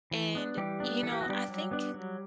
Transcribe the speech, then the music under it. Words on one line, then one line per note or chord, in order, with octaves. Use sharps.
and, you know, I think
E3
B3 D4
E3 G3 G4
B3 D4
E3 A4
G4
F#4
G3 B3 D4 G4
F#3
B3 D4
F#3